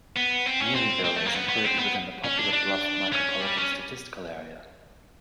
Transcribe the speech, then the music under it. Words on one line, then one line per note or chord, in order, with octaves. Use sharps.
Neelyville is included within the Poplar Bluff Micropolitan Statistical Area.
B3
C4
C#4
C4
C4
A3
A#3
B3
B3
C4
B3
C#4
D4
D4
C#4
G3
C#4